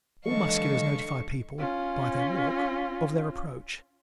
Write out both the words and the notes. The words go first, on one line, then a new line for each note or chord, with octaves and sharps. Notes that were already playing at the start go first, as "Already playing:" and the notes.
All Musculars notify people, by their walk, of their approach.
D3 E3 F#3 G#3 A4 D#5 F5 C#6
C#4 F4